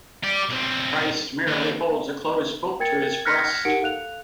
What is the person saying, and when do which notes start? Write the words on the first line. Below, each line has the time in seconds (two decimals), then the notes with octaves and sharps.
Christ merely holds a closed book to his breast.
0.24 G4 D5
0.49 B1 C4
1.47 D#2
2.80 A#4 G5 G#6 A6 C#7
3.25 F6 F#6 G#6 A#6 B6 C#7
3.65 D#4 G4 A#4 F#5 C#7 D7
3.82 A4 F5 F#6 F7